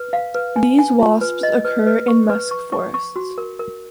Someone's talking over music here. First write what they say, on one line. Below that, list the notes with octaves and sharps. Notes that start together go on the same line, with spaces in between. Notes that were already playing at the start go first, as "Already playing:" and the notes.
These wasps occur in musk forests.
Already playing: B4
F5
B4
G#5
G#5
F4
B4
D#5
B4
B4
C#6
B4
C#6
C#6
C#6
F#4
A#4
A#4